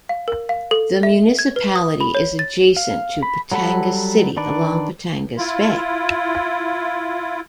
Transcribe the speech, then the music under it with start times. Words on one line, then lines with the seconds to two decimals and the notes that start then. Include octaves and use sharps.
The municipality is adjacent to Batangas City, along Batangas Bay.
0.09 F5
0.28 A#4
0.49 F5
0.71 A4
1.03 E5
1.39 G#6
1.56 B4
1.76 D#6
2.00 B5
2.15 C#5
2.39 A6
2.77 F5
3.23 B5
3.52 F#3 G3 A4 F#5 B5
4.37 D#3 D4 B4 D5
5.37 E4 F4